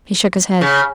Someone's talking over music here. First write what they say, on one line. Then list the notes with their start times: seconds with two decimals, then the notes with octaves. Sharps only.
He shook his head.
0.61 C#3